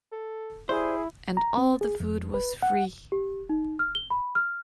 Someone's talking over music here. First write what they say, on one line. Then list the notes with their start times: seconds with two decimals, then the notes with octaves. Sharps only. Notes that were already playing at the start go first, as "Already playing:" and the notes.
And all the food was free.
0.12 A4
0.69 G3 E4 G#4 C5
1.37 A#5
1.57 C4
1.81 G#4
2.00 F2
2.34 B4
2.62 F#5
3.12 G4
3.49 D#4
3.79 F6
3.95 G7
4.10 B5
4.35 F6